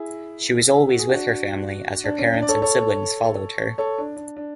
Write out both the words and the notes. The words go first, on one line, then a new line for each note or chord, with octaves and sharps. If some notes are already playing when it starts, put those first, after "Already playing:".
She was always with her family as her parents and siblings followed her.
Already playing: E4 G#4
F#4
G#4
D4 F#4
D4
C#4
D4
D5
A4 C#5
A4 C#5
A4 C#5
D4
D4
D4